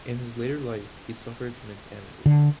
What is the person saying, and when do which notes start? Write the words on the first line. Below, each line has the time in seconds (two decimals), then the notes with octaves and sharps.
In his later life, he suffered from insanity.
2.26 D3